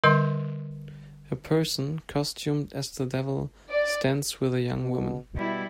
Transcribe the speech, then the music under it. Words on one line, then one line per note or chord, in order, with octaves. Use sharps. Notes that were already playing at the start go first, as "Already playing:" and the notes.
A person, costumed as the devil, stands with a young woman.
D3 G3 A#4 D#5 C6
D5
B2
B2 G3 E4